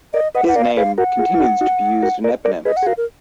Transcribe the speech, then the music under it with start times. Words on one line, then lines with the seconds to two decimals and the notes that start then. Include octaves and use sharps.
His name continues to be used in eponyms.
0.14 A#4 D5 D#5
0.35 B4 D#5 F#5
0.47 B4 F#5
0.55 A#4 D5 F5
0.77 G#4 B4 F5
0.98 F#4 A#4 F#5
1.19 F4 G#4
1.40 D#4 F#4
1.61 D#4 F#4
2.02 F#4 A#4
2.24 A#4 D5
2.45 A#4 D5
2.65 G#4 B4 D#5
2.77 F#5
2.82 G#4
2.86 F#4 A#4 F5
2.97 A#4